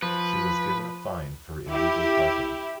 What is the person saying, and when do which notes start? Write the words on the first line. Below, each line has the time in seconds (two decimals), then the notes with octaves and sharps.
She was given a fine for illegal parking.
0.02 F3 B4
1.69 E4 G4